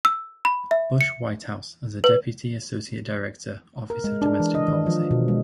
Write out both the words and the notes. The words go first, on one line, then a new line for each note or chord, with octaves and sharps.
Bush White House as a Deputy Associate Director, Office of Domestic Policy.
E6
B5
E5
C#7
B4
A#4
G#3
D4
E3
D#5
D#3
F3
B2
G#3